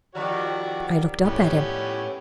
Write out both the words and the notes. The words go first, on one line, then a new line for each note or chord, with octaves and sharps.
I looked up at him.
D#3 F3 G3 F#4 D5
A2 B3 C#4 G4